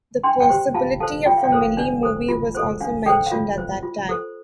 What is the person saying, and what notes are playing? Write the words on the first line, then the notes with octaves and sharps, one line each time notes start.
The possibility of a Millie movie was also mentioned at that time.
D4 G5 C6
D5 G5
G4 C5
F4 F5 A5
A4 C5 F5 A5
F4 D5 G5
F5
D5 G5
A4 C5
F5
D4 D5
A4 C5
F4
A4 C5
D4 F5
A4 C5 D5 G5
F5
F4 D5
C5
F4
A4 C5